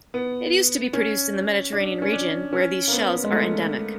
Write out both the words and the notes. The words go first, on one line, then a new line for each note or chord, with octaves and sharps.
It used to be produced in the Mediterranean region where these shells are endemic.
B3
C#4
D4
C#4
D4
C#4
A#3
B3
G#3
A3